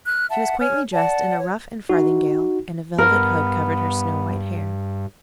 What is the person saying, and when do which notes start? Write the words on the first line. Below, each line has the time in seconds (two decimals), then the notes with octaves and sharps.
She was quaintly dressed in a ruff and farthingale, and a velvet hood covered her snow-white hair.
0.06 F6 F#6
0.30 E5 F#5 A5
0.59 C#5 G#5 F6
0.92 D5 F#5 A5
1.38 C#5
1.89 D#4 F#4
2.98 G2 B3 A#4